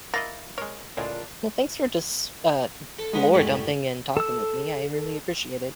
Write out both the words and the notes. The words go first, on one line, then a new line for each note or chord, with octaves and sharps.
Well, thanks for just, uh, n lore dumping and talking with me, I really appreciate it.
A#3 E4 D#5 F5 F#5 A6 A#6
G#3 A#4 C#5
C#2 A2 G#3 D4 F4 A#4
A4
D3 G#3 B3 D#4
F#2 A2 G3
A4 E6